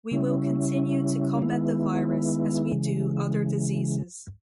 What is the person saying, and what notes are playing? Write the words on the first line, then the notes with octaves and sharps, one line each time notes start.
We will continue to combat the virus as we do other diseases.
C#3 G3 C#4 E4
D#3 G#3 B3 E4
C#3 E3 G#3